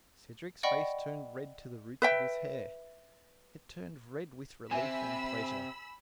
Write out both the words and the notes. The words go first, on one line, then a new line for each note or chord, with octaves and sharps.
Cedric's face turned red to the roots of his hair; it turned red with relief and pleasure.
D5 D#5 F#5 G5 B5 C#6
B4 E5 G5
C3 C4 E5 G#5 B5 E6 E7